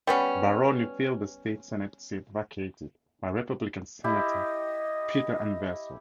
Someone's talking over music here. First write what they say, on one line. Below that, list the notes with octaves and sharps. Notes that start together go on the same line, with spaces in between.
Baroni filled the State Senate seat vacated by Republican Senator Peter Inverso.
G3 B3 C#4
E4 G4 D#5